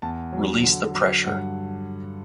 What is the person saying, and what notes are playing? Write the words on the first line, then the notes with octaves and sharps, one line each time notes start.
Release the pressure.
E2 A5
F#3
D3
F#3
G2 F#5